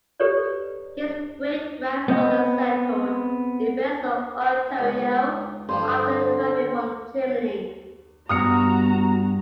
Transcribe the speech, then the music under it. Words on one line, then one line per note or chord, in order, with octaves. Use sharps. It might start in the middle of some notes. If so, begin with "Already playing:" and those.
His great-grandfather settled in Breslau, Ontario after arriving from Germany.
G4 A4 B4 C#5 D5
B3 C4 D#5
C#2
G2 D3 F3 G3 C5
G2 B3 F#4 A#5 D#6 F6 C#7